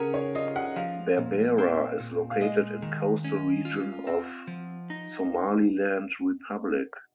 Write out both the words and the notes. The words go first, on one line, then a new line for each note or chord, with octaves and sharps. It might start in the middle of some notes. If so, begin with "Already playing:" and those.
Berbera is located in coastal region of Somaliland Republic.
Already playing: C#3 C#4 G#4 A#4 F#5
C#5
F4 D#5
F#5
F3 F5
A#2
C4
A#2
F5
G#3 D#5
D#3
C#4
F4
C4 F#5
F3
D#4